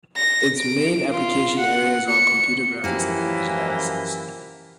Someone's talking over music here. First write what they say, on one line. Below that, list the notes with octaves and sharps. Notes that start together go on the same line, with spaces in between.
Its main application areas are computer graphics and image analysis.
A#6
D7
F4
F#5
C#7
F#2 E3 F3 A#3 E4 G4 F5